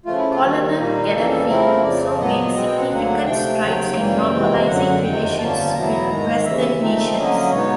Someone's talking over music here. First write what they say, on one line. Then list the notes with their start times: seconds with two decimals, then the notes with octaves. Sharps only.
Colonel Gaddafi also made significant strides in normalizing relations with western nations.
0.06 C#3 F3 A3 F4
0.18 E4
0.30 F4
0.42 D#2 D#3 G3 F#4
0.77 A#2 G3 A#3 D#4
1.12 F2 C#3 E3 G3 A#3 A4
1.30 A4
1.48 C#3 F3 A3 C4 E4 A#4
1.83 F2 C#3 F3 D5
2.19 A#2 F#3 B3 D#5
2.54 B2 G#3 C4 D#5
2.66 G5
2.78 F#5
2.90 D2 D3 F#3 A#3 F#5
3.25 C3 F3 A3 G5
3.61 D#2 C#3 F#3
3.96 F#2 C#3 E3 G3 A#3
4.32 F2 C3 E3 G#3 C4
4.67 F#2 D3 F#3 F#5
5.03 F2 C3 D#3 G#3 G5
5.38 G2 D3 F3 A#3 C#4 A5
5.67 A5
5.74 E2 B2 F#3 B3 E4 A#5
6.09 G#2 D#3 G#3 A#5
6.44 D#2 C#3 E3 E5
6.81 A#2 F3 A3 C4 D#4
7.16 D3 F#3 A#3 C#4 D#5
7.51 B2 G#3 B3 D#4 C#5